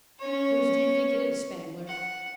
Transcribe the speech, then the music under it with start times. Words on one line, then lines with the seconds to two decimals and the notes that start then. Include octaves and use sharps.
"Whose do you think it is, Spangler?"
0.20 C#4 C#5
1.87 F#5